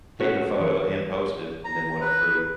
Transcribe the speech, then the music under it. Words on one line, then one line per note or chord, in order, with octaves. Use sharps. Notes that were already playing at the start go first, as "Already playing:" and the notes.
Take a photo and post it, and then want it free.
C#4 F#4 C#5
E3 C#5
A#5
B4